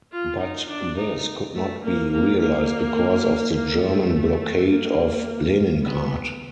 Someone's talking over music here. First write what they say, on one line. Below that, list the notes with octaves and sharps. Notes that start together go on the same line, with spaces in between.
But this could not be realized because of the German blockade of Leningrad.
F4
D#4
D4
D#4
A3
A#3
A#3
A#3
A#3
A3
A#3
B3